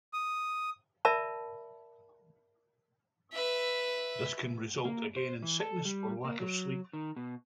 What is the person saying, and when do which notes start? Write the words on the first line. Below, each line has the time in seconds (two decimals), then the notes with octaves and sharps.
This can result, again, in sickness or lack of sleep.
0.13 D#6
1.05 A#4 D5 E5 A5 B5
3.33 B4 E5
4.85 A#3
5.17 C5
5.43 E3
5.60 A4
5.85 G3
6.24 A#3
6.40 F#3
6.93 D#3
7.16 B2